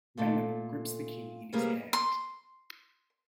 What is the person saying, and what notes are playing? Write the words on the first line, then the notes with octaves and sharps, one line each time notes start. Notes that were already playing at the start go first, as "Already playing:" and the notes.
Mammon grips the key in his hand.
A#2 A3 A4
C3 G3 A#3 G#4 B4
C6